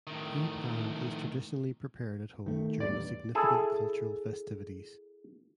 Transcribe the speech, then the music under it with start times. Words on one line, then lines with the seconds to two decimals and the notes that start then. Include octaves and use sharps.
Hee pan is traditionally prepared at home during significant cultural festivities.
0.07 A2 D#3
2.46 D#3 A3
2.80 E2 G2 A#2 D5
3.35 E4 G#4 A4